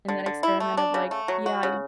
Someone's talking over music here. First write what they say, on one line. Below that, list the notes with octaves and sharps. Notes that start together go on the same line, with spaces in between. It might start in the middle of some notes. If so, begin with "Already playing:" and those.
and that experiment of like yeah, you
D3
D3
E4
A3
D4
C#3
A3
F#3
F#4
C#3